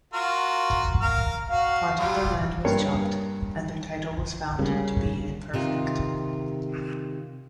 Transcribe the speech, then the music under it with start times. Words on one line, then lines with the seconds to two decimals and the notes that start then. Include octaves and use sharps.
Part of their land was jumped, and their title was found to be imperfect.
0.14 F4 F#4 A#4
1.01 A#4 F5
1.50 F#4 F5
1.99 F#3 G3 F4
2.65 G2 A#3 C#5
4.59 C#3 G3 A#3 C#4
5.54 C3 D#3 F4